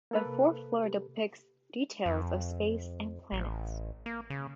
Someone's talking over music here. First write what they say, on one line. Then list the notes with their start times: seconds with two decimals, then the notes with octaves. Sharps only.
The fourth floor depicts details of space and planets.
0.11 A#3 A4 B4
0.25 C3
0.83 G4
2.05 F2
3.32 A1
4.06 A#3
4.30 C#3